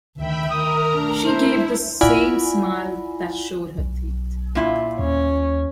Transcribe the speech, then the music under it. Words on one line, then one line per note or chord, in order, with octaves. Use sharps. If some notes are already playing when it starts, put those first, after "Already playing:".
She gave the same smile that showed her teeth.
D2 D#3 E5 G5 B5
D#3 A#4 A#5 D#6
A3 D4
E4 C5
E4 F4 D5 F#5 G#5 B5
B1
A#2 E4 F4
D#2 C#4